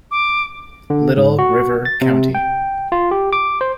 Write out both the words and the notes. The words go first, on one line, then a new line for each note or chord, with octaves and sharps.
Little River County.
D6
D3
G#2
F#4
A6
C3
G5
F4
G4
D6
C5